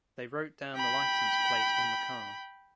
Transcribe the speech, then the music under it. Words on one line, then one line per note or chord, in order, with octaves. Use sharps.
They wrote down the license plate on the car.
G5 B5